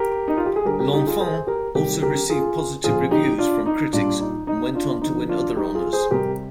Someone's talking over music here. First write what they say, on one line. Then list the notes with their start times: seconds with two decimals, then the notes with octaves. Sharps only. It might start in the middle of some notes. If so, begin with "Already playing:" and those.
"L'Enfant" also received positive reviews from critics, and went on the win other honours.
Already playing: G4 A#4
0.28 D#4
0.37 F4
0.46 G4
0.56 G#4
0.65 D3 G3 G4 A#4
0.79 G4 A#4
0.93 D#4 G4
1.07 F4 G#4
1.20 G#4 C5
1.47 G4 A#4
1.75 C3 D#3 G3 G4 A#4
2.02 G4 A#4
2.29 F4 G#4
2.84 A#2 F3 F4 G#4
3.11 D#4 G4
3.38 D4 F4
3.66 D#4
3.93 A#2 G3 D4 F4
4.20 D#4
4.47 D#4
4.75 D4 F4
5.02 D3 F3 D#4
5.29 D4 F4
5.56 D#4 G4
5.75 F4 G#4
5.93 G#4 C5
6.11 C3 G3 G4 A#4